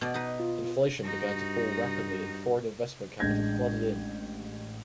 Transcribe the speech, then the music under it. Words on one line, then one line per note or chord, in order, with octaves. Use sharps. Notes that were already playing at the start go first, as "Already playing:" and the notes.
Inflation began to fall rapidly and foreign investment capital flooded in.
B2 D5
D#4 B4
F4
G2 D#4 F#4
A1 G#3 D4 G6 G#6 A#6